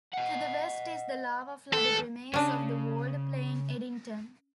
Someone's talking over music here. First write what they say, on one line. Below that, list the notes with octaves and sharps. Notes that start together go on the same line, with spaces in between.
To the west is the lava-flooded remains of the walled plain Eddington.
D#5 F#5
D#2 A4 B4
C#3 C#4 D4